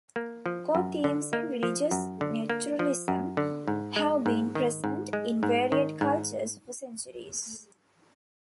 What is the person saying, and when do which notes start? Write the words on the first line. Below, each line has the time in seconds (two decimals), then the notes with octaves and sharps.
Core themes in religious naturalism have been present, in varied cultures, for centuries.
0.16 A#3
0.46 F3
0.75 F#2
1.04 D3
1.33 A#3
1.63 F3
1.91 F#2
2.21 D3
2.50 A#3
2.79 F3
3.08 F#2
3.37 D3
3.68 G#2
3.96 G#3
4.26 G#2
4.55 D#3
4.84 G#2
5.13 G#3
5.43 G#2
5.72 D#3
6.01 G#2